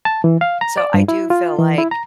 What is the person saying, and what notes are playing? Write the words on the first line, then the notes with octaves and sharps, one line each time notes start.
So, I do feel like
A5
E3
F5
A#5
D5
G2
E4
F4
E3
E4
A#5